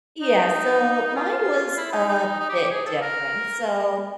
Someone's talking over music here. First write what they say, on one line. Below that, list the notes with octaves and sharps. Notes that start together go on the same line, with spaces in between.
Yeah, so mine was a bit different. So,
D#4
F4
E4
D#4
D#4
D#4
G4
G4
G#4
A4
A#4